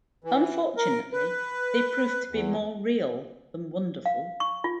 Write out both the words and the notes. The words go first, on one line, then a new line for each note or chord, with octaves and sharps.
Unfortunately, they prove to be more real than wonderful.
E3
A#4
B4
E2
F5
C#6
F4